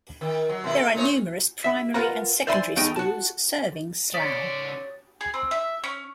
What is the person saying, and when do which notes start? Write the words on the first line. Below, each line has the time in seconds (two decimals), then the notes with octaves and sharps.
There are numerous primary and secondary schools serving Slough.
0.21 D#3
0.49 F#3
0.64 B2 D#3 E4
0.77 A4
0.94 A#2 D#4 C#5
1.64 E5
1.94 F4 A#4 B4 F5 F#5 A#5
2.47 C5 D5 E5 G#5 A5 C6
2.76 E2 A3 D#4 D#5 G5
2.96 F#4 A5
4.14 C#3 C#5 D5 D#6 A6 B6 C#7
5.21 G#4
5.34 C4
5.51 E5
5.84 C#4